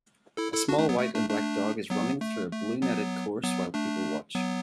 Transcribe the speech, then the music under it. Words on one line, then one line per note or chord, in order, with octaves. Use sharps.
A small white and black dog is running through a blue netted course while people watch.
E4 A4
E4 A4
D4 F#4
A3 D4
F#3 B3
A3
A3 D4
A3 D4
F#3 B3
A3
A3
F#3 B3
F#3 B3
A3 D4
F#3 B3